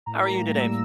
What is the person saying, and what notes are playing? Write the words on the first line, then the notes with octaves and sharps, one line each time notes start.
How are you today?
A2 A#5
G3 A#3 A#5
A2
G3 A#3 E6